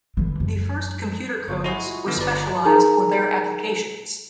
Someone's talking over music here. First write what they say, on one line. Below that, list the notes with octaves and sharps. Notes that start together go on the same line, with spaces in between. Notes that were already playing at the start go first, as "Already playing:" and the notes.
The first computer codes were specialized for their applications.
D3 E3
F#2
G1 F4 C#5
G#3 E4 F#4
D3 B3
G1 B4 D5 A#5
D#4 G#4 A#4 G#5 A#5